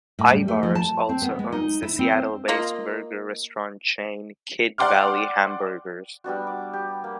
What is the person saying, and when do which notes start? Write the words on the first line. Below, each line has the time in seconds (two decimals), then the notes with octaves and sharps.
Ivar's also owns the Seattle-based burger restaurant chain Kidd Valley Hamburgers.
0.19 A2
0.31 G3
0.48 A3
0.63 F3
0.75 A5
1.09 C4
1.22 B3
1.39 G#3
1.52 D#4
1.82 E4
1.99 C4
2.12 C5
2.48 A#3 F4 D#5
4.78 D5 F#5 G5 C6 D6 F6
6.24 G3 B3 D4 F#4
6.47 D6
6.73 G4
7.04 A#3